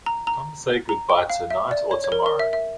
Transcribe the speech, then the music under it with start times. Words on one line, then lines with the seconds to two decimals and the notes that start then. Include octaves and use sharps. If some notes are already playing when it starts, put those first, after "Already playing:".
Come say goodbye tonight or tomorrow.
0.06 A#5
0.27 A#5
0.89 A#5
1.10 G5
1.30 F5
1.50 E5
1.71 D5
1.91 C#5
2.04 C#5
2.12 A#4
2.26 A#4
2.39 E5
2.53 E5